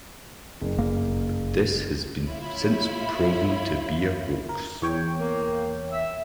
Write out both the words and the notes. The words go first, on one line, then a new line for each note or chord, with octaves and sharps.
This has been since proven to be a hoax.
F#1
G1 A#3
E4 F4 C#5 B5
A#4
E2 C#5 G5
A#3
E5